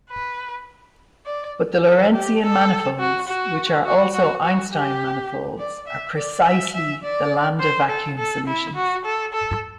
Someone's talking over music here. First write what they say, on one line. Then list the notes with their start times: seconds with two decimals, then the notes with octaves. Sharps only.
But the Lorentzian manifolds which are also Einstein manifolds are precisely the Lambdavacuum solutions.
0.10 B4
1.26 D5
1.84 A4
2.13 G4
2.42 A4
3.00 F#4
3.28 F#4
3.85 F#4
4.14 F#4
4.43 F#4
4.72 G4
5.59 D5
5.87 E5
6.17 D5
6.45 E5
6.74 E5
7.03 D5
7.60 C5
7.89 A4
8.18 A4
8.48 E4
8.76 F#4
9.05 A4
9.33 A4